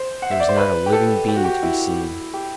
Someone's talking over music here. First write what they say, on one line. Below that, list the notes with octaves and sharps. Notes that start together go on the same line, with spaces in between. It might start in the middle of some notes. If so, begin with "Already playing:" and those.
There was not a living being to be seen.
Already playing: C5
F#5
E5
D5
C5
B4
G4
A4
G4
F#4
G4
E4
G4